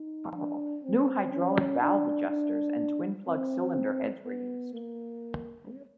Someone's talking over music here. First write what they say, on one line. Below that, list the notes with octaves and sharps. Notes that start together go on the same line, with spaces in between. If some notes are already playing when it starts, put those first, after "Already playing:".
New hydraulic valve adjusters and twin plug cylinder heads were used.
Already playing: D#4
D4
C4
C#4
D4
D4
C4
B3
A#3